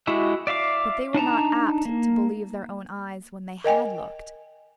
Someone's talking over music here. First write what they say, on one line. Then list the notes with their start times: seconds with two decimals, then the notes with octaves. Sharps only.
But they were not apt to believe their own eyes when they had looked.
0.07 G#3 E4 F#4 G4 E5
0.47 D5 E5 F5 D6
1.14 D4 D#4 A5 A#5
1.85 A#3
3.64 A#4 D#5 G5 G#5